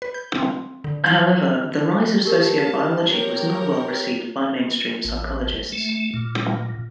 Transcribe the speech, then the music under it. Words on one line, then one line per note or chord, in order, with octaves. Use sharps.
However, the rise of sociobiology was not well received by mainstream psychologists.
B4
G6
C4
D3
F5
G4 A#4 A5
G4 A#4 C#5 F#7
A1
A3
A#2